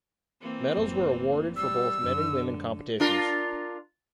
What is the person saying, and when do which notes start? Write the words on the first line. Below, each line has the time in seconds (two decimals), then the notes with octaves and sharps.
Medals were awarded for both men and women competitions.
0.42 E3 A#3 C4
0.77 F#1 A2
1.56 G3 E6
2.03 F#2 D3 F#3
3.00 D4 F4 A#4